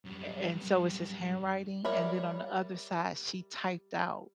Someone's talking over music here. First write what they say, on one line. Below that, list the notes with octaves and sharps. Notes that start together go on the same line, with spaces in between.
a and so it's his handwriting, and then on the other side she typed out
F#2 G3
G3 A#4 C#5 E5 B5